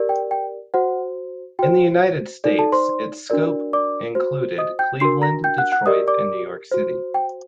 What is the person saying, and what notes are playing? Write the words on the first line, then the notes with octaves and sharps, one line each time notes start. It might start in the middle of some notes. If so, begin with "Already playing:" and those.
In the United States its scope included Cleveland, Detroit, and New York City.
Already playing: G4 A#4 D5
G5
G5
F#4 C5 F#5
F#4 C5 G5
D#4 A4 D5
A4 A5
C5 C6
D4 F#4 A#4 D5
D5 D6
F#4 C5
D#5 D#6
G5 G6
D4 F#4 A#4 C6 C7
A#5 A#6
G5 G6
F#5 F#6
F#5 F#6
G4 A#4 D5 D#5 D#6
D5 D6
F#4 C5
G5